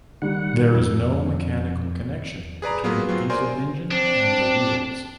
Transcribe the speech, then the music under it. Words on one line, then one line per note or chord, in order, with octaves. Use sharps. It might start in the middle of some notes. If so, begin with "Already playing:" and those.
There is no mechanical connection between the diesel engine and the wheels.
D#3 G3 F#5
F2 E6
G#4 B4 D5 A#5
F#3 A#3 B3 F4 G#4 B4
F#3 C4 F4
A#4 C5 D5 G#5 C6
C4 D4